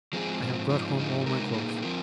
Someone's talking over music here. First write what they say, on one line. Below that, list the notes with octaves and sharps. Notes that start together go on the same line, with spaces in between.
I have brought home all my clothes.'
F3 G#3 C4 G#4
G#2 F3 C4
G#2 F3 C4 D#4
G#2 F3 G#3 D#4
C3 G#3 D#4 A#4
A#2 A#3 D#4 G#4
F3 C4 F4 A#4